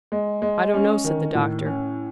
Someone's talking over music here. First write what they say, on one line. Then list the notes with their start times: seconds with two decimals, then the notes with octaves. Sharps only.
"I don't know," said the doctor.
0.12 G#3
0.42 G#3
0.74 C#4
1.04 D#3
1.35 A2
1.66 C#4